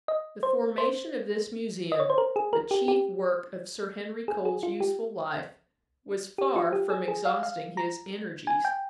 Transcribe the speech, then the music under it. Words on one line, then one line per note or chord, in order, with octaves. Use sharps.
The formation of this Museum, the chief work of Sir Henry Cole's useful life, was far from exhausting his energies.
D#5
C5
C5
D#5
C#5
C5
A#4
G#4
A#4
G4
G4
G#4
G#4
F4
G4
G4
F4
G4
G#4
G#4
F5
F5
A#5
G#5
G5